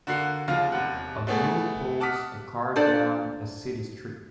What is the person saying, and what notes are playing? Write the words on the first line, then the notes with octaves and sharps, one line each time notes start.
A mule pulls a cart down a city street.
D3 A#3 F#4 F#5 C7
D#2 C#3 F3 F5 F6 A6
E1 D#2 C3 F#5
B2 G3 A3 B3 G#4 A4
F#5 A5 D6 D#6 F6 B6
D4 A4 C5 D5